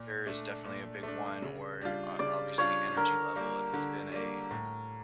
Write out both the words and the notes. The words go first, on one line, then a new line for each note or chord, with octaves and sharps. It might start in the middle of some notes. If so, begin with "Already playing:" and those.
There is definitely a big one, or o obviously energy level, if it's been a
Already playing: A#2
A3 D4
A#2
A3 D4
C#3
G3 D4 F4
C#3 D5
G3 D4 F4 C#5
D3 A#4
G3 A#3
D3
G3 A#3
A2